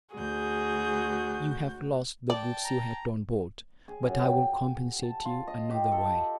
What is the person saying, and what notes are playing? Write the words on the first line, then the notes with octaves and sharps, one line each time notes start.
You have lost the goods you had on board, but I will compensate you another way.
D2 F#4 G#4 G6
D5 G5 A5
A#5
G#4
F#2
G5
A5
F4
D#5
G4
A4